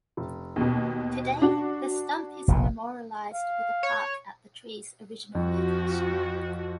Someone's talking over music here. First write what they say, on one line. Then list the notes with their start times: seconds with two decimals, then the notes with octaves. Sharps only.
Today, the stump is memorialized with a plaque at the tree's original location.
0.17 F1
0.56 D#2 B2
1.42 D4 F#4
2.48 F1 A#1 B2
3.34 F5
3.83 C#5
5.35 F2 F3 F#4